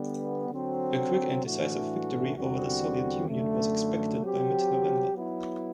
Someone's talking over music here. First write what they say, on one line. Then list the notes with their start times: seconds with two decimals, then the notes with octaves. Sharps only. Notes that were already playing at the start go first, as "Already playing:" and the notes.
A quick and decisive victory over the Soviet Union was expected by mid-November.
Already playing: D3 G3 B3
0.50 D3 F#3 C4 F#4
1.44 A2 E3 A3 D4 F#4
2.36 E2 D3 G3 C4 F#4
3.28 F#2 D3 A3
4.21 F#3 C4 G4
5.14 F#3 B3 E4